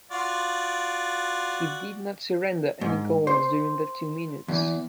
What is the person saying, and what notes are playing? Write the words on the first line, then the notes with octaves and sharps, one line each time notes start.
He did not surrender any goals during the two minutes.
F4 F#4 D5
G#2
C5
E2